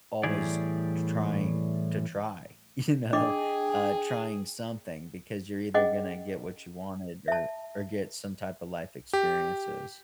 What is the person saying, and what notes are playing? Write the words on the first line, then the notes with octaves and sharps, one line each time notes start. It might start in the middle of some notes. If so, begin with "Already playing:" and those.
always tr trying to try, you know? Uh, trying something because you're either gonna get what you wanted or or get some type of life experiences.
A2 E3 G3 G#4 D5
D4 G#4 D#5 G5 D6
C#4 G#4 D#5 F#5 G5 D6
E5 A5
G4